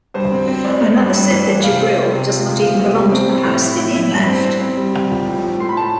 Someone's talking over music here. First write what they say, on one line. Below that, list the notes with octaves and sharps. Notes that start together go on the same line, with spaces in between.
Another said that Jibril does not even belong to the Palestinian Left.
G2 C5
C4
C4
A1 D5
A3
G2
G2
E3
G2
C3 F5
C4
C4
C3
F3
D2
C3 F5
E2
G3
C4
A2
A2
E4
E4
E4
G2
C4
C4
C4
G3
G3
F3
A2
F3
A2 C6
B5
A2 A5